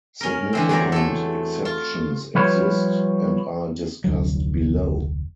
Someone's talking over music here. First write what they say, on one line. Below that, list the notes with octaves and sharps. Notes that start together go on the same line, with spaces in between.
Significant exceptions exist, and are discussed below.
C#4 A#4
D3 E3 C4
E2 F#3 D5 A#5
A3 A4
F4
F3 G3 F4 B4 C#5
F1 D2 F#3